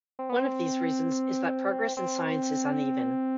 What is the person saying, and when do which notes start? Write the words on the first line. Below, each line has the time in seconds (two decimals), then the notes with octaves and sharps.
One of these reasons is that progress in science is uneven.
0.19 C4
0.29 B3
0.39 C4
1.97 C4